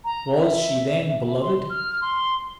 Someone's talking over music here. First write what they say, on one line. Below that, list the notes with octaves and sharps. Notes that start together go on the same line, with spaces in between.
Was she then beloved?
A#5
E5
C6
F6
C6